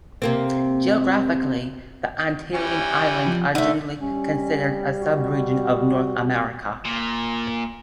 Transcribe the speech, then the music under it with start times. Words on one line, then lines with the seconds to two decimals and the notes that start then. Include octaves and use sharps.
Geographically, the Antillean islands are generally considered a subregion of North America.
0.22 C3 A#3 C4
2.53 E3 G3 C#4
3.27 F3
3.55 D3 A3 D#4
4.01 G3 C#4
5.01 F#4
6.85 A#2